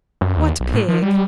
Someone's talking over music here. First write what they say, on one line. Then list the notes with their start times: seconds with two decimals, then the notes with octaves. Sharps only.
"What pig?"
0.21 F#2
0.37 D#2
0.60 B1
0.74 A2
0.88 F3
1.02 G3